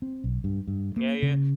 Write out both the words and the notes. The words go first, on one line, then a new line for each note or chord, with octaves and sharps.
Yeah, yeah.
C4
B1
G2
G2
A#3
C#3